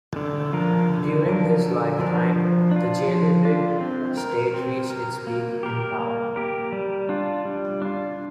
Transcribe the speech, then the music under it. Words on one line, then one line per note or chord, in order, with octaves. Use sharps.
During his lifetime, the Jalayirid state reached its peak in power.
D3
F3 D4 A#4
D3
F3 D4 A#4
D3
F3 D4 A#4
F3
D4 F4
F3
D4 F4
C4
A#4
C4
A#4
A#3
G4 A#4
A#3
G4 A#4
G3
D4 F4
G3
D4 F4